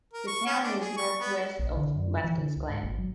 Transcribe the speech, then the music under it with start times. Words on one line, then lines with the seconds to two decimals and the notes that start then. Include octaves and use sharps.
The town is northwest of Watkins Glen.
0.13 A#4
0.27 C#6
0.47 C#4
0.64 D4
0.81 G#4
0.97 C#6
1.21 B3
1.59 A#1
1.77 D3
1.96 F#2
2.24 E3
2.38 D3
2.56 D2
2.69 G#2
2.83 G#1
2.98 F#3